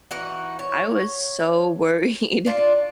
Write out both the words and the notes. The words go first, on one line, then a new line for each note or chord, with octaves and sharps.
I was so worried,
E3 D#4 F#4
C#5
D4 F4